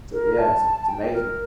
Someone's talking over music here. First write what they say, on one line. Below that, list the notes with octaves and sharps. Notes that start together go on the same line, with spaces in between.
so, yeah, it's a it's amazing.
A#4
A5
G5
A#4